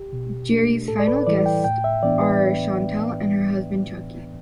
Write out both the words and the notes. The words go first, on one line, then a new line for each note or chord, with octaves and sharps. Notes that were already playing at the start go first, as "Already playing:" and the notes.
Jerry's final guests are Shawntel and her husband, Chucky.
Already playing: G4
B2
A3 D4
A2 A4
D5
B4
E3 G3 E4 D5
G5
A2 G5
E5
E3 B3 D4 D5
B4